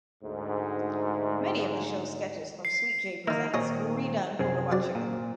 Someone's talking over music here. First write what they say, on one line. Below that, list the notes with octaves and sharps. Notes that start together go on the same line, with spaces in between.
Many of the show's sketches from "Sweet J Presents" were redone for "Robot Chicken".
D2 G#2
C7
D#3 A#3 D#4 E5
A#2 D#3 C4 G#4 C#5 D#5
F#2 C3 C4 G#4
F#3 D5
A#2